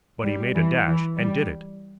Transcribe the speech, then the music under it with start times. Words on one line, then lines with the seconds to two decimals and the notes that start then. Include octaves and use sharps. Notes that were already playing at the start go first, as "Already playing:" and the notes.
But he made a dash and did it.
0.23 G3
0.54 E3
0.85 E3
1.16 G3